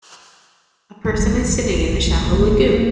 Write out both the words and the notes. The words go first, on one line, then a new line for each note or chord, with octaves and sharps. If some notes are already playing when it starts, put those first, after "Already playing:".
A person is sitting in a shallow lagoon.
F1
G3
D#3
F2
D3
C4
B1
D#3
B1
D1
F#3
A#3